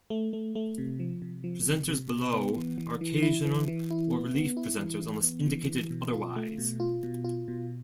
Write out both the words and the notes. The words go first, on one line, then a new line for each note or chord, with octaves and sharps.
Presenters below are occasional or relief presenters unless indicated otherwise.
A3
A3
A3
C3
F3
C3
F3
C3
C3
C3
B3
E3
E3
E3
E4
E3
E3
E4
B3
B3
E4
E3
E3
B3
E3
E3
B2
F4
A3
B2
F4
B2
F4
B2